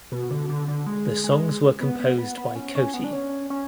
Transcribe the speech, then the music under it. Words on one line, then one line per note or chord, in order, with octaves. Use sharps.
The songs were composed by Koti.
B2
D3
D3
D3
G#3
G#3
B3
B3
B3
B3
C#4
C#4
B3
D4
C#4
C#4